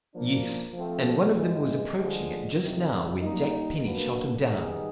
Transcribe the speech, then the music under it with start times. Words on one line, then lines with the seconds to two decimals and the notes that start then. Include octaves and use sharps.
"Yes; and one of them was approaching it just now when Jack Penny shot him down."
0.11 F3 A#3 D4
0.74 F3 A3 C4
1.36 G2 E3 G#3
1.98 D3 F3 G#3
2.60 F2 C3 D#3
3.22 G3 A#3 D#4
3.84 F#3 A#3 D4 F#4 B4
4.46 D#3 G3 B3 D#4 G#4